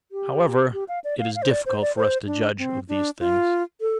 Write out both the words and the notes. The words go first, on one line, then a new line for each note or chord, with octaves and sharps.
However, it is difficult for us to judge of these things.
G4
G4
F5
D5
F5
F5
C5
D5
C5
D5
C5
D4
C4
D4
F4
A4